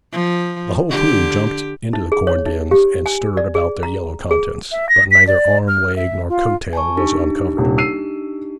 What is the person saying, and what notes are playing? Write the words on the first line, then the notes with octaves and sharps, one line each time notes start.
The whole crew jumped into the corn-bins, and stirred about their yellow contents; but neither arm, leg, nor coat-tail was uncovered.
F3
D3 G4
D#4
G#4
C#5
D#4
G4
G#5
D5
G#4
A#5
G#4
E5
A#6
B6
D5
F6
E5
F4
G#5 A5 C#6
D4 D#4 G4
D#1 C2
E6 C7 D#7